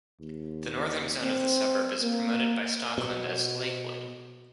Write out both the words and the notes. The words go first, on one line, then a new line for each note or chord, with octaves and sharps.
The northern zone of the suburb is promoted by Stockland as "Lakewood".
D#2
C4
A#3
B2